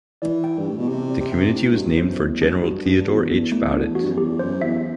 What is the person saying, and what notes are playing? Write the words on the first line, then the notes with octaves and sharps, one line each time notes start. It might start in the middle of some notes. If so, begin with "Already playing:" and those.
The community was named for General Theodore H. Barrett.
E3 D5
G5
G2
A2 G4
B2
C3 G4
D5
C3
G5
A2 D4
G2 F#4
E2
C5
F#2
E2 A3
F#2 D4
G2 F#4
G2 D4
E2 F#4
E2 A4
E2 A3
E2 D4
E2 F#4
G2
F#2
E2 G4
F#2 C5
E2 E5